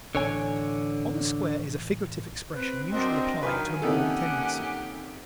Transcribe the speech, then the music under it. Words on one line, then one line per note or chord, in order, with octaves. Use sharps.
"On the Square" is a figurative expression usually applying to a moral tendency.
A1 D3 C#5 G#5
C4 B4
C4 D4 F#4 A#4 D#5
D#3 F#3 B4 F5 G#5
C3 D#3 A#3 C#4 G4 A4 F#5